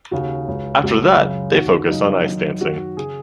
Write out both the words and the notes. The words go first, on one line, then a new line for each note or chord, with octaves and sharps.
After that they focused on ice dancing.
D#2 C#3 F#4
C#2 C#3
C#2 C#3 F#4
F#2 C#3
D#2 D#3 F#4
F#2 C#3 D#4
F#2 D#3
F#2 D#3 F#4
C#3 G#4